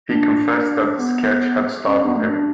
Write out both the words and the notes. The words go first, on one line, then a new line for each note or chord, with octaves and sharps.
He confessed that the sketch had startled him.
D4
B3
C#4
B3
A3
D4